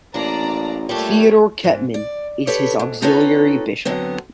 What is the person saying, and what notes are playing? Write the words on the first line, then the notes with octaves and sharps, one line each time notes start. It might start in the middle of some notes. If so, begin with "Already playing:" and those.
Theodor Kettmann is his auxiliary bishop.
A1 A#3 D4 D5 A#5
A#2 G3 A3 D4 C#5
G#2
D5
G4 A4 B4 C#5
G#2
C4 D#4 F4 A4 B4 C#5
D3 F#3 B3 C4